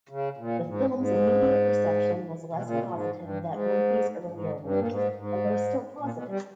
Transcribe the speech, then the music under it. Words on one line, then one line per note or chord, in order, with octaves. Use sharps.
The film's immediate reception was less positive that Murphy's earlier works, although still positive.
C#3
A#2
G#2
G#2
B2
A#2
C#3
B2
A#2
G#2
G2
G#2
G2
G#2
G2
A#2
G#2
G#2
A#2
B2
G3